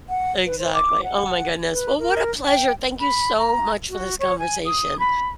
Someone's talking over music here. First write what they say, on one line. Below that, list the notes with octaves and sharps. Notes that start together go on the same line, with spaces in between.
Exactly. Oh my goodness. Well, what a pleasure, thank you so much for this conversation.
F#5
B4
C5
D6
F#5
B4
A#4
G5
B5
A#5
F#4
C#5
G#5
D#6
B5